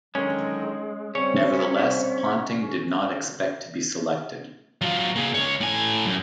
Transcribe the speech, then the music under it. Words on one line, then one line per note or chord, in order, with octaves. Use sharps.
Nevertheless, Ponting did not expect to be selected.
D3 D#3 F#3 G#3 C#4
C#3 G3 C4 C#4 C#5
F#3 F4
A#3 G#4
C#2 C#5
A2 G#5
F#2